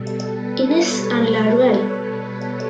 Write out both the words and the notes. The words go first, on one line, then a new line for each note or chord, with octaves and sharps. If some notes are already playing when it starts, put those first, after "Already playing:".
Innis and Laruelle.
Already playing: B2 G3 A4
B4
C#5
B4
C#5
B4
A4
B3